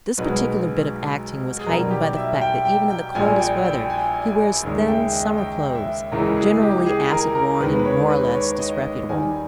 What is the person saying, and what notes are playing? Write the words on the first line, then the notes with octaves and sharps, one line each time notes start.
This particular bit of acting was heightened by the fact that even in the coldest weather he wears thin summer clothes, generally acid-worn and more or less disreputable.
B1 B2 G#3 B4
G#4
B1 B2 G3 A#4
G4
E5
G5
G5
G5
A#1 A#2 G3 G#5
G5
G5
G#5
G#5
D#2 C#3 G#3
E5
G5
D#5
G5
E5
C#2 C#3 E3 G#3 A#4
G#4
G4
G#4
A#4
A#4
D#2 D#3 G#3 B4
B4
C#5
B4
C#5
D#5
D#2 D#3 G3 G#5